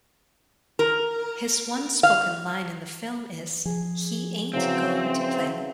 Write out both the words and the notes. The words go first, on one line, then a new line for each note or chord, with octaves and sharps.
His one spoken line in the film is, He ain't going to play.
A#4
F5
F3 G#4
C#3 E3 F#3 C4